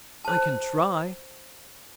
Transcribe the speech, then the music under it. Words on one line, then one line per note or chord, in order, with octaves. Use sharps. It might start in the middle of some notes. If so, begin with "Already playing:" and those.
"I can try."
C5 A5